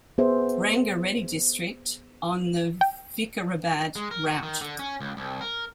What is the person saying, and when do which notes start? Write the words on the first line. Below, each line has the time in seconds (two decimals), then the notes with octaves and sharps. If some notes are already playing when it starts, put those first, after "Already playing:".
Ranga Reddy District on the Vikarabad route.
0.18 B3 G#4 C5 E5
2.81 G5
3.96 G#3
4.11 A#4
4.26 F#4
4.43 D#3
4.61 D3
4.79 C#4
5.00 C#2
5.17 C2
5.41 A#4